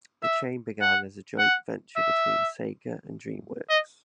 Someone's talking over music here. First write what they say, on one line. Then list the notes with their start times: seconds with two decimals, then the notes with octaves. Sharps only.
The chain began as a joint venture between Sega and DreamWorks.
0.23 E5
0.81 F#5
1.39 F#5
1.96 E5
3.69 D#5